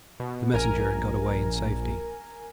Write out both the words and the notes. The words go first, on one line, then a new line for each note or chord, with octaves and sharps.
The messenger had got away in safety.
B2
A#1 A#4 G#5 A#5